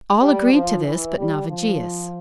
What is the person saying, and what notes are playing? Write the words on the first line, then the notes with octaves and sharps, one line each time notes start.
All agreed to this but Navigius.
G3
F3
E3
G3
F3